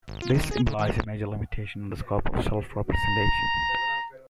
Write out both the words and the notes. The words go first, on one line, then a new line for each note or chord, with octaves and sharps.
This implies a major limitation on the scope of self-representation.
G#1
F4
D#3
G#4
C#3
D#3
A#1
A#5